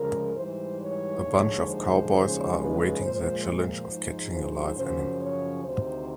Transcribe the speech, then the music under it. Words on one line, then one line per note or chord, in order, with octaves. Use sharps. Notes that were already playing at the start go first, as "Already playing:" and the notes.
A bunch of cowboys are awaiting their challenge of catching a live animal.
Already playing: D2 C#3 F3 G#3 A#4
G#2 E3 G3 C5
C#5
D#2 D3 F3 G#3
C5
D#2 C#3 F3 G#3
B4
A#2 F3 G#3 C5
C5
G#2 F3 G#3
C5
F#2 C#3 F3 C5
C#5
D2 C3 D#3 C5